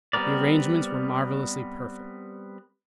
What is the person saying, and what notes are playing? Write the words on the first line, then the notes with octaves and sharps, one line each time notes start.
The arrangements were marvelously perfect.
G3 B3 C4 A#4 D5